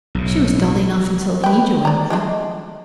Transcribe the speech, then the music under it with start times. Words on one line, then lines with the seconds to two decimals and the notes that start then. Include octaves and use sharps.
She was dull enough until he joined her.
0.15 B1 A2
1.44 B4 G5
1.85 D5 A#5
2.10 G#3 A3 D4